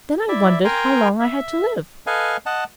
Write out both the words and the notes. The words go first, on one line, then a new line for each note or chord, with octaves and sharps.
Then I wondered how long I had to live.
E4 D5 E5
A#4 G5 G#5 A#5 C6
E5
A4 B4 D#5 F5 G#5
D#5 F#5 A5